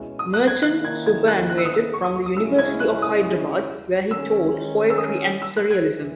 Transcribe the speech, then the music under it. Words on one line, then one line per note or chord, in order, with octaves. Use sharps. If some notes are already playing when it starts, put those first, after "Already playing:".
Merchant superannuated from the University of Hyderabad where he taught Poetry and Surrealism.
Already playing: B2 G#3 C#4 E4
D#6
F#6
G#6
D#3 A#3 C#4 E4 F#6
G#6
G#6
F#6
F#6
E6
D#6
E6
C#6
D#6
C#6
D#6
C#3 G#3 C#4 E4 E6
G#6
F#6
D#6
D#3 G#3 C#4 E6
E6
D#6
E6
F#6
G#6
E3